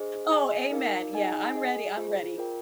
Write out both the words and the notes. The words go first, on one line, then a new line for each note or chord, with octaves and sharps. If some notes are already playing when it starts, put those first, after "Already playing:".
Oh, amen. Yeah. I'm ready. I'm ready.
Already playing: D4 G#4 C5 D#5
G#4 D#5 G#5
D#4 A#4 D5 F5
D#4 G#4 D#5 G#5
G#4 D#5 G#5
F4 G#4 C5
F4 A#4 D5 G5